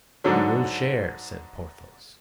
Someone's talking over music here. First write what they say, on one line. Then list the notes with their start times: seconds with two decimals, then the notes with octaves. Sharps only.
"We will share," said Porthos.
0.24 G#2 D3 F#3